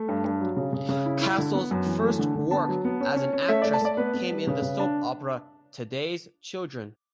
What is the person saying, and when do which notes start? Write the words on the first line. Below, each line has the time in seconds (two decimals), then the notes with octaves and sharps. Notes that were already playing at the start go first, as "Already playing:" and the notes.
Castle's first work as an actress came in the soap opera "Today's Children".
Already playing: A3
0.08 G2
0.24 G2
0.41 F#3
0.57 C#3
0.73 C#3
0.89 C#3
1.05 E4
1.21 E4
1.38 D3
1.55 B3
1.71 F#2
1.86 E3
2.02 A3
2.19 D3
2.35 D3
2.51 B3 A5
2.68 F#3
2.85 B3
3.00 C#4
3.16 C#4
3.33 C#4
3.49 A3 E5
3.62 A3 D5
3.73 A5
3.82 A3 D5
3.97 B3 B4
4.14 B3
4.30 G3
4.47 C#3
4.62 C#3
4.80 D4